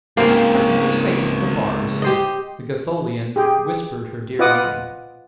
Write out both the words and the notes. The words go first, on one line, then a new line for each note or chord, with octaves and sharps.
Pressing his face to the bars the Gatholian whispered her dear name.
C#2 G#2 A#3 C4
G4 C5 D#5
G4 G#4 G5
F4 B4 D#5 F#5 D6 D#6